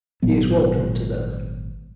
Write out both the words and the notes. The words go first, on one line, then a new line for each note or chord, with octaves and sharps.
He is welcome to them.
G#1 A#2 F#3 B3